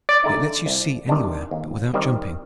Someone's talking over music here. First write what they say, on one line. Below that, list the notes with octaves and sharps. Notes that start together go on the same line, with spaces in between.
It lets you see anywhere, but without jumping.
D5
D3 A3 D#4
C2
C3 D#3 G3 D4
D#2
D#3 G3 C4